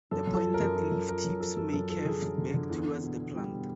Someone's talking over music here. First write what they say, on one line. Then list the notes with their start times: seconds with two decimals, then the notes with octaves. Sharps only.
The pointed leaf tips may curve back towards the plant.
0.11 F#2 A4
0.27 F#2
0.34 A4
0.44 F3
0.54 A#4
0.60 F#2
0.76 F3 A4
0.92 F#2
1.08 F3 A#4
1.24 F#2
1.40 F3 A4
1.57 F#2 A4
1.73 F#2 A4
1.89 F3 A4
2.05 D3 G#4
2.22 F#2
2.38 D3
2.54 D3
2.70 E2
2.86 E2
3.03 B2
3.19 E2
3.35 G3
3.51 B2